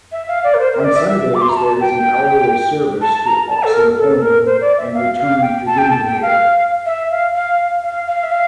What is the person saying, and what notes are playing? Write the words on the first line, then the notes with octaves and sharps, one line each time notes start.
On Sundays there is an hourly service to Oxenholme and return to Windermere.
E5
F5
D5
A#4
C5
A#4
E5
D5
E5
E5
D6
C6
A#5
A5
G5
A5
A#5
A5
A4
A#4
A4
A4
A#4
C5
D5
E5
F5
F5
G5
A5
G5
A5
G5
F5
E5
F5
F5
F5
F5
E5
F5